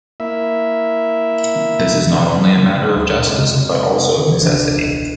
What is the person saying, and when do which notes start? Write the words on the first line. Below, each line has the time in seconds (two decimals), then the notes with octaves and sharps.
This is not only a matter of justice, but also of necessity.
0.20 A#3 E4 E5
2.96 D2
3.25 F2 C3 G#3
4.40 E1 C#2 C4 D4